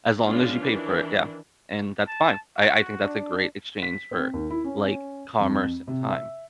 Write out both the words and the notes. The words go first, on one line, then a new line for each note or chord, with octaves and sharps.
as long as you paid for it, yeah, and that's fine. I I think that's a great exchange for, like, commerce and time.
G#3 B3 C#4 D4 F4
D#3 E3 D4
A5
F#4
D4
B6
C4
D#2
E4
C#4
C#4
F2
C3
E5